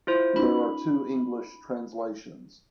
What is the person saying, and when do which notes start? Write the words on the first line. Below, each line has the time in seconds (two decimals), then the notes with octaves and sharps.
There are two English translations.
0.07 E4 F4 C5
0.36 C#4 D#4 F4 B5